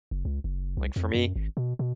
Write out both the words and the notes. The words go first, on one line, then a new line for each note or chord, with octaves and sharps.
like, for me
F#1
C#2
F#1
C2
F2
F#2
G#1
B2
B2